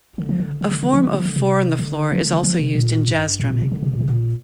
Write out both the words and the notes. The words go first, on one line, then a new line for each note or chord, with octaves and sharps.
A form of four-on-the-floor is also used in jazz drumming.
D3
F3
D3
D3
D3
D3
F3
D3
F3
D3
C3
D3
F3
D3
D3
F3
C3
A#2
G2
A#2
A#2
C3
D3
C3
A#2
C3
A#2